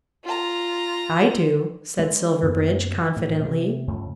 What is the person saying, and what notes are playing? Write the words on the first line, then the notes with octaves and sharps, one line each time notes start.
"I do," said Silverbridge confidently.
F4 A#5
G#3
F#2 C#3 A#3 B3
A2
C3
G1 F2 C#3 A3